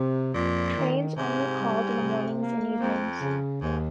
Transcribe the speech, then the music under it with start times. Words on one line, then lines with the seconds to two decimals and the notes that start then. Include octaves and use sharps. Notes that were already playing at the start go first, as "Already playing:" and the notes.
Trains only called in the mornings and evenings.
Already playing: C3
0.34 F2 A#2
0.76 D#3
1.17 G#2 C3
1.57 G3
1.98 C3
2.39 A#3
2.80 F2 C4
3.21 C#3
3.62 D#2 G#2